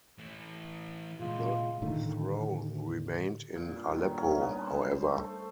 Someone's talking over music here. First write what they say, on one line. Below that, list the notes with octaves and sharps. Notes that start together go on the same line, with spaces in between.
The throne remained in Aleppo, however.
E3 A3
A#2 C#3 G#3 F4
A2 D3 D#3 A3
A#2
G2
D#3
C#4
B3
C5
C5
A3